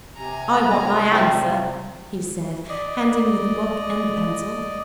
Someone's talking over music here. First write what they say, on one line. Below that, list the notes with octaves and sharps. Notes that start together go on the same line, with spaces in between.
"I want my answer," he said, handing me the book and the pencil.
C3 G#5 A#5
G3 C4
D5 D#5